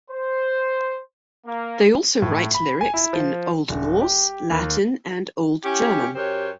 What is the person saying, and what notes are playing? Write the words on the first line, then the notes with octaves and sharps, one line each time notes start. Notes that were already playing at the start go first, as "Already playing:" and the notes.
They also write lyrics in Old Norse, Latin, and Old German.
C5
A#3
A2
B5
G#5
E4
F3
D#1
G4
D#2
C#4 E4 G4
F#2 G4 C5 C#5 G5